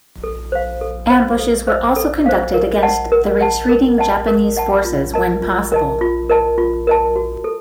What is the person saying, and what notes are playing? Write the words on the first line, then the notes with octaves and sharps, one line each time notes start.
Ambushes were also conducted against the retreating Japanese forces when possible.
A4
C5 F5
A4
C5 F5
A4
C5 F5
A4
C5 F5
A#4
D#5 F#5 A5
A#4
D#5 F#5 A5
A#4
D#5 F#5 A5
A#4
D#5 F#5 A5
F4
A#4 D#5 A5
F4
A#4 D#5 A5
F4
A#4 D#5 A5
F4
A#4 D#5 A5
F#4
A4